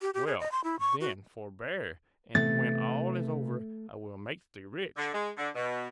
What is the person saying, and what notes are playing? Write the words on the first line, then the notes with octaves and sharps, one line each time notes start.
'Well, then, forbear; and when all is over, I will make thee rich.'
G4
G4
G#4
D#5
C6
E4
C#6
F#4
C3 E3 A3 B3 A6
D3
G#3
D3
B2